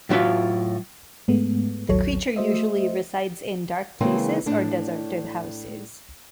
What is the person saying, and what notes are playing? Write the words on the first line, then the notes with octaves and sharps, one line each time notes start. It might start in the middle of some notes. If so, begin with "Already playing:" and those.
The creature usually resides in dark places or deserted houses.
A2 F#3 F4 E5 F5
G#2 G#3 A3 B3
A1 D#2 F#3 A4 C#5
A3 F#4 C5 D#5 E5
C#3 E3 G#3 A#3 C4
A2 D4